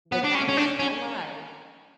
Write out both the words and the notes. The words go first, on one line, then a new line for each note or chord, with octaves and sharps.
the guy is still alive,
B3
D4
C#4
C#4
D4
C#4